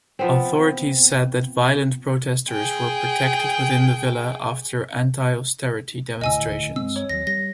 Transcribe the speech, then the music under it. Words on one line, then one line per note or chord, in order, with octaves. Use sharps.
Authorities said that violent protesters were protected within the villa after anti-austerity demonstrations.
F3 B3 C4
G#4 G5
D#1 D2 A2 D#5 G#5 E6
G2 G#3 C4 E6
C#5
D#2 F#3 A#6
G3 A#6